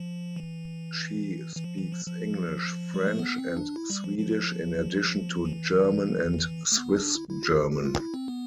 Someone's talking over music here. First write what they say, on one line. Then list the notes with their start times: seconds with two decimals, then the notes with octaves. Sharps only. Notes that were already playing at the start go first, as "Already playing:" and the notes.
She speaks English, French and Swedish in addition to German and Swiss German.
Already playing: F3
0.36 E3
1.56 E3
1.64 F3
1.78 E3
1.92 F3
2.06 F3
2.94 G3
3.07 A3
3.19 B3
3.38 C4
3.57 D4
3.76 E4
3.90 G3
4.04 F3
4.19 F3
5.45 E3
6.72 A3
6.78 B3
6.96 D4
7.15 E4
7.29 E4
7.43 F4
7.57 G4
7.71 G4
7.86 F4
8.00 E4
8.14 C4
8.28 B3